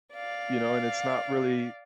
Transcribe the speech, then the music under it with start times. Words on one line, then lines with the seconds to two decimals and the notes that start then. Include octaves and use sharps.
You know, and it's not really
0.14 D5 F5